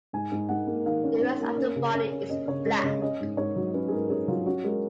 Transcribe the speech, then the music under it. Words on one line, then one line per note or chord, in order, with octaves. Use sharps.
The rest of the body is black.
G#2 G#5
G#2
G#2 F#5
A#3
D#3 F5
C#4
C#4
A#3
C#4
C#3
C#4
C#4
C#4 D#5
C#3 C#5
G#3 D#5
C#5
C#3 D#5
C#4 D#5
G#2
G#2 C#5
F#3
C#4 B4
G#4
G#2 A#4
C#4 G#4
F#3 F4
C#4 F#4
G#3 A#4